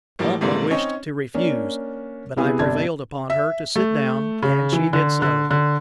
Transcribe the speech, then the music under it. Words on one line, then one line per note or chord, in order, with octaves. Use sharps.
Almah wished to refuse, but I prevailed upon her to sit down, and she did so.
A2 F3 G3 A#3
G#2 C3 E3 G3 A3 A#3
C4 C#4 D#4 C#5
A#3 C#4 D4
C3 B3 E4 G#4
G1 C3 D4 A5 G#6
E5
A3
C#3
E3
D3
D3
D3